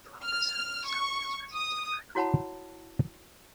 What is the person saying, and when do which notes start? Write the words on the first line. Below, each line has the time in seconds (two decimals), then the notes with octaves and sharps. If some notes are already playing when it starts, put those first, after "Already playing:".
Twelve per cent of Southdale's residents are francophone.
0.24 F6
0.87 C#6
1.55 D#6
2.15 E4 F#4 C#5 F#5 A5 B5